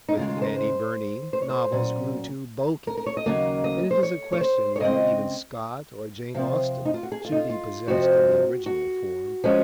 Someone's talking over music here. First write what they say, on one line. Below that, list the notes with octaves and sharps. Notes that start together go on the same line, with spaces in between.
With Fanny Burney, novels grow too bulky, and it is a question whether even Scott or Jane Austen should be possessed in the original form.
D#4
D#2 C#3 G#3 F4
F4
G#4
C5
A#4
C5
C5
C#5
C5
A#2 F#3 C#4
A#4
A#4
C#5
D#5
D#2 C#3 F#3 A#3
D#5
C5
C#5
C#5
C5
C#5
C#3 G#3 C4 D#5
C3 F3 C4 F5
D#4
F4
F#4
G#4
F4
D#4
F4
F4
F2 C3 F3 C4 F#4
F#4
F3 G#3 C#4